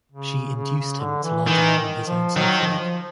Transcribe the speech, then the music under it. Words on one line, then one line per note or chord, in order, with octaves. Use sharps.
She induced him to lie down on his own sofa bed.
C#3
C#3
C#3
D3
E3
D#3 E3
D#3
F3
D#3 F#3
F3
F3